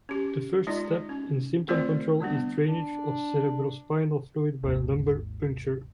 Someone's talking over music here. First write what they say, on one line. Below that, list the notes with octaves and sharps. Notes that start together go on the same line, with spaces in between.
The first step in symptom control is drainage of cerebrospinal fluid by lumbar puncture.
C#4 G4
G#3 D#4 F4 D5
C#4
A3 C4 F4 A#4 C5 D5
D3 G3 B3 D4
D4
G#1 D#2 G#2